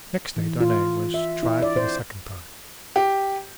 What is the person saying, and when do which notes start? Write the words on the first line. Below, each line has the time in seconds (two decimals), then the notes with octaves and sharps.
Next day Darnay was tried for the second time.
0.37 E3
0.60 F4
1.14 E5
1.43 E4
1.62 D5
1.76 C5
2.96 G4